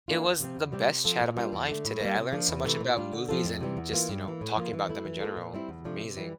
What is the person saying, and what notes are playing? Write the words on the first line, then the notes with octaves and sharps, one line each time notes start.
It was the best chat of my life today, I learned so much about movies and just, you know, talking about them in general. Amazing.
E3 A#3 D4 F4
E2
C3 F3 C4
E2
C3 G3 C4 G4
C3
F3 C4 F4 A4
A#2
G3 A#3 D4 F4
E2
D3 A3
A2
G3 A#3
C3
F3 A#3 D4
E2
C3 E3 A3
A#2
G3 D4 F4
D3
F3 C4 F4 A4
F2
C3 E3 G3
E2
E3 A#3 F4
G2
E3 A#3
A2
F3 A#3 F4
E3
A3 E4
E3
A#3 F4 A4
A#2
G3 C4 E4
E2
C3 F3 A3 D4
C3
E3 G3